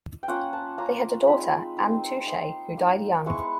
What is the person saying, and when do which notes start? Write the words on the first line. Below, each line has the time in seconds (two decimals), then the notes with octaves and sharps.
They had a daughter, Anne Touchet, who died young.
0.23 G5
0.28 A#3 C#4 F4 F#5
0.53 A5
0.78 A#3 C#4 F4 A#5
1.27 G#3 C4 D#4 B5
1.77 G#3 C4 D#4
2.27 A#3 D#4 C6
2.77 A#3 D#4
3.26 G#3 B3 E4 C#6
3.39 C#6